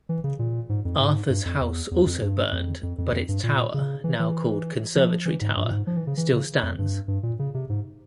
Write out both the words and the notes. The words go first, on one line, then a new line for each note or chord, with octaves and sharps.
Arthur's house also burned, but its tower, now called "Conservatory Tower," still stands.
E3
C#3
A#2
G#2
F2
G#2
G2
F2
E2
E2
F2
G2
F2
F2
F2
F2
G2
A#2
C#3
E3
E3
F3
E3
G#2
G2
A#2
G#2
F3
E3
C#3
E3
C#3
F2
G2
G2
A#2
C#3
C3
G#2